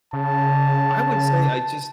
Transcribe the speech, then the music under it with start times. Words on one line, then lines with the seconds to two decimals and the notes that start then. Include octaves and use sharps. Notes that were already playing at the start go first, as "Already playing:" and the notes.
I would say I just
0.13 C#3 A5